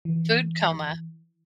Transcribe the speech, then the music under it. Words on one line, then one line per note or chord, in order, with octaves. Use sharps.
Food coma.
E3